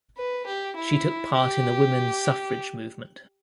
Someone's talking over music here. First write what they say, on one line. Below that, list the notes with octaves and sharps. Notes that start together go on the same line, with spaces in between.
She took part in the Women's Suffrage movement.
B4
G4
E4
G4